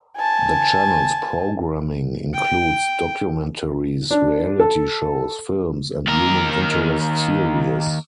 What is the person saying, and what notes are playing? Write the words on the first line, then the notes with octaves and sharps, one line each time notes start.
The channel's programming includes documentaries, reality shows, films, and human interest series.
G#5 A5
G5
D4
A4
D#2 A#4